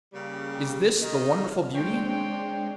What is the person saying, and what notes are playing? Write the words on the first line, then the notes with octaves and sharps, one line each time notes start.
'Is this the wonderful beauty?'
C#3 G3 A#3 G4
D#3 D#5 F6
G#3 C4 D4 C#5 G5